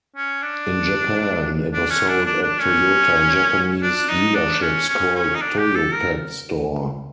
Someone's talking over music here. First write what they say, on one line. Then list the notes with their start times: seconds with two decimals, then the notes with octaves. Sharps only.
In Japan, it was sold at Toyota Japanese dealerships called "Toyopet Store".
0.16 C#4
0.42 D4
1.73 D4
1.90 C#4
2.08 D4
2.26 D4
2.43 D4
2.60 C#4
3.83 D4
4.09 D#4
4.35 D4
4.61 C#4
4.88 C#4
5.15 C#4
5.35 D#4
5.41 D4
5.59 G4
5.75 A4
5.93 A#4